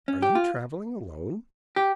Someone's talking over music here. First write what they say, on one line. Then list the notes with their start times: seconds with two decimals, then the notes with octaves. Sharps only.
"Are you traveling alone?"
0.08 C#4
0.22 G4
0.35 F4
1.76 G4